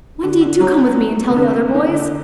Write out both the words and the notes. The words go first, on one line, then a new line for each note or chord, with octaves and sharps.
"Wendy, do come with me and tell the other boys."
D3
D3
F#3
C3
D3
D#3
D3
D3